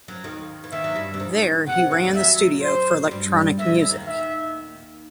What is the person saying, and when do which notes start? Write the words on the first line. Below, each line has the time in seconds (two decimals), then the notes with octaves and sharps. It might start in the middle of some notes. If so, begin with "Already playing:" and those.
There he ran the studio for electronic music.
0.08 F#2 F#3
0.24 D#2 D#3
0.64 E3
0.72 D#2 D#3 E5
0.84 F#3
0.96 G2 G3
1.14 C3
1.20 D#2 D#3
1.67 C3 F#5
1.91 D#2 D#3
2.04 G3
2.15 F#2 F#3 E5
2.63 C5
3.11 G2 G3
3.59 F#2 F#3 E5
3.75 E2 E3
3.90 D#2 D#3
4.07 E5